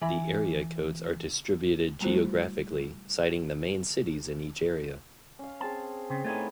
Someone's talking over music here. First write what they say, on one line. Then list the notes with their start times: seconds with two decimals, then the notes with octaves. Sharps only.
The area codes are distributed geographically, citing the main cities in each area.
0.01 E3 B5
2.00 G3 A3 A#3 E4 F#4 C5
5.39 C#4 F5
5.61 C4 G#4 A5 C6
6.10 C#3 C4
6.24 A2 A3 B3 D#4 C#5 G#5